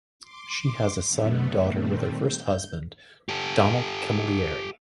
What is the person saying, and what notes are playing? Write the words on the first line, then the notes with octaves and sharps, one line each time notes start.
She has a son and daughter with her first husband, Donald Camillieri.
C6 D6
F#2 D3 A3 B3
A#2 D#3 G3 A3 C4
G6
G4 A4